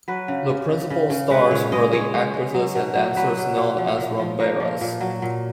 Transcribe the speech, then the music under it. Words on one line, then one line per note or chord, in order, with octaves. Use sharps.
The principal stars were the actresses and dancers known as "Rumberas".
F#3 B4
C#3
C#3
C#3
C#3
C#3
G#3 B4
A#2 C#5
G#3 D#5
G#3 C#5
G#3
G#3
F#3
B2
F#3
F#3 B4
B2
B2
F3
A#2
F3
A#2 A#4
F3
A#2
F#3
A#2